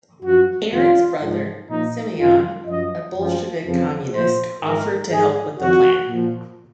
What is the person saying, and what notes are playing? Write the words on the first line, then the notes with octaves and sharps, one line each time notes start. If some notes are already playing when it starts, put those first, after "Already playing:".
Aaron's brother, Semion, a Bolshevik communist, offered to help with the plan.
F#2 F3 F#4
F2 C3 D#3 F4
G#2 F3
A#2 F3 D#4
F#2 D#3 F4
F#2 F3 D#5
F#2 F3
F2 C#3 F3
A#2 F3 C5
G#2 D#3 A#4
G#2 D#3 G#4
F2 D#3 F#4
A#2 F3